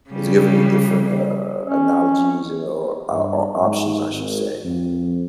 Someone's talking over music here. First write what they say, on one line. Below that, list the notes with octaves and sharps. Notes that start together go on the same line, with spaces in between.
it's given me different, uh, analogies an or, uh, or options, I should say,
C#3 G3
C#4
G2
G#2
G#1
F2